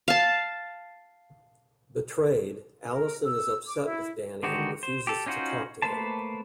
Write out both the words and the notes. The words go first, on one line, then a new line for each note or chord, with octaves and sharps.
Betrayed, Allyson is upset with Danny and refuses to talk to him.
F5 A5
A#4
E6
D6
E4
D3 D#3 G#3 F#4 G4
C5
G4 A4
C#4 D#4 F4 F#4 C5
A3 A#3 B4 C5 A5